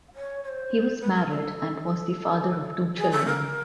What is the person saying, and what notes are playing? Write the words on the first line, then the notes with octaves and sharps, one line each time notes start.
He was married and was the father of two children.
C#5
C#5
C5
B4
A#4
A4
A4
G#4
A4
A#4